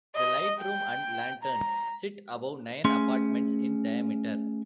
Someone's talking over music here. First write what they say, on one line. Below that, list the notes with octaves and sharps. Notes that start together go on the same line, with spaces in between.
The lightroom and lantern sit above nine apartments in diameter.
D#5
G5
A#5
A3 C#4 G#4 C6